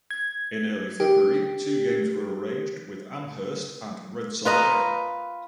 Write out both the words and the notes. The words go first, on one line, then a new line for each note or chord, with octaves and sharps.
In early February two games were arranged with Amherst and Rensselaer.
G#6
G4
F4 B4 D#5 A#5